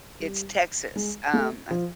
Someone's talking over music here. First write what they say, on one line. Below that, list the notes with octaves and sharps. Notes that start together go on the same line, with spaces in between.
It's Texas, um, I th
G3
G#3
A3
F3